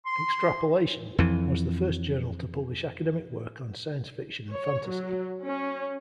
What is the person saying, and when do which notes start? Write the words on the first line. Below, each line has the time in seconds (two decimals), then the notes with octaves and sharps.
"Extrapolation" was the first journal to publish academic work on science fiction and fantasy.
0.06 C6
1.18 F2 E3
4.51 C#5
4.86 F#3
5.43 C#4